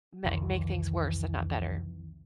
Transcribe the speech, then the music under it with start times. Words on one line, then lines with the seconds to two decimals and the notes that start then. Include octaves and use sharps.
ma make things worse and not better.
0.24 C2 F2 D#3 E3